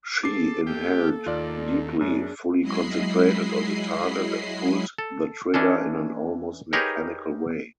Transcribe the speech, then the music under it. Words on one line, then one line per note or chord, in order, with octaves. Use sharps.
She inhaled deeply, fully concentrated on the target and pulled the trigger in an almost mechanical way.
G#4 A4 D6 C7
A#3 G4 A4
D#2 F4 D5
F#2 D4 G#4
F#3 G#3 E4 D#5 B5 C7
A4
E3 C#4 D4 A4
D#4 G4 G#4 A#4 B4 C#5